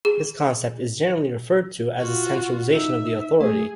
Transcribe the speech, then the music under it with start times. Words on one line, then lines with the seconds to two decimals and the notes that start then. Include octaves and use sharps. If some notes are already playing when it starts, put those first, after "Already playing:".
This concept is generally referred to as the centralisation of the authority.
0.05 G#4
1.98 F4 F#4
2.75 D#4 E5
3.41 A3 G#4